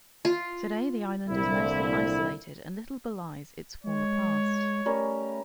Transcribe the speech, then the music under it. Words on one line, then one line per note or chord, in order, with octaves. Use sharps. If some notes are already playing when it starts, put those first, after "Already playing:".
Today the island is mostly isolated and little belies its former past.
F4
C2 A#2 D3 E4
G#3 C#5
G3 A3 C#4 A#4